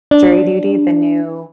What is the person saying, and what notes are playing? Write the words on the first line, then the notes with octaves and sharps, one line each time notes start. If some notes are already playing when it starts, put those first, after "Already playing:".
Jury Duty, the new
D4